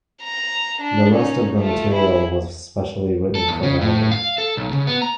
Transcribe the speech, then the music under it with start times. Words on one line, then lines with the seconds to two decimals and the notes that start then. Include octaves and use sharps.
The rest of the material was specially written for the album.
0.23 A#5
0.81 D4
1.13 C#4 D#4
1.59 A3 F4
1.94 E4 G#4
3.35 A4
3.48 E2
3.63 C#3
3.81 A2
4.12 F5
4.38 A4
4.57 B1
4.72 C#3
4.87 B3
5.02 A#5